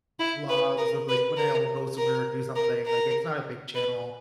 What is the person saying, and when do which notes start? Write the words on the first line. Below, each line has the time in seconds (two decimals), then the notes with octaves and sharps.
vlogs of, like, when I'll go somewhere or do something, like, it's not a big channel,
0.20 E4
0.49 B4
0.78 A#4
1.09 B4
1.37 A#4
1.97 A#4
2.56 A#4
2.85 A#4
3.75 B4